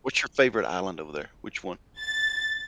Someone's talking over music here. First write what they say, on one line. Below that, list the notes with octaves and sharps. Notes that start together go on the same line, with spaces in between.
What's your favorite island over there? Which one?
A6